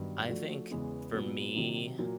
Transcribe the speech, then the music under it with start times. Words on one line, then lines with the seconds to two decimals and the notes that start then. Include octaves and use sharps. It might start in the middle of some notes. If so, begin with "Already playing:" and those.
I think, for me
Already playing: G2 D#3 F#3 B3
0.29 F3 A3 D4 F#4
0.71 E2 C#3 E3 G#3 B3
1.13 A#2 F#3 B3
1.55 C3 D#3 F#3
1.98 A#2 F#3 A#3